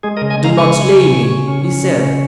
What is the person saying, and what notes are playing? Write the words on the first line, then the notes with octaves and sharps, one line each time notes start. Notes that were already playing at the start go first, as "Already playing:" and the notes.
"Do not slay me," he said.
G#3 G#4
A#4 D#5
C#3
D#5 G#5
G#3
F5 A#5
C#3 G#5 C#6
C#3
C#3
C#3
C#3
C#4
C#4
C#3
C#4